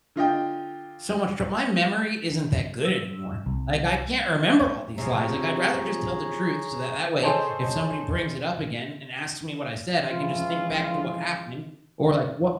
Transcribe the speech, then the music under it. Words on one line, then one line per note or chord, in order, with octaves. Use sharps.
so much troub my memory isn't that good anymore. Like, I can't remember all these lies. Like, I'd rather just tell the truth so that that way, if somebody brings it up again and asks me what I said, I can just think back to what happened or, like, what
D3 F4 D#5 G5
E6
C2
C3 F3 G#4 C#5 A#5
G#4 A4 C5 C#5 D#5 A5
E3 F3 G#3 C#4 E4 F4